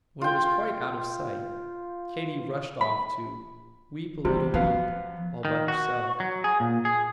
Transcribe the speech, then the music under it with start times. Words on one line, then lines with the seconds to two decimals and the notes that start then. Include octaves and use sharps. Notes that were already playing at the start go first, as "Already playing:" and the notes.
When it was quite out of sight, Katy rushed off to "weep a little weep," all by herself.
0.21 F4 G5
2.81 B5
4.25 C3 E3 G3
4.54 F#2 F3 B3 F5
5.45 D#3
5.68 F#4
6.20 F#3
6.44 G#4
6.60 A#2
6.85 G#4